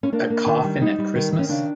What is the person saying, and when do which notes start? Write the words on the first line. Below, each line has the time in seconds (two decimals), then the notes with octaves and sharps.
A coffin at Christmas!
0.03 C#4
0.12 A#3 D4
0.30 A#3
0.46 D#3
0.63 G3
0.81 G3 D#4
0.98 G3
1.15 D#3
1.32 D#3
1.39 C#4
1.49 C#3 D4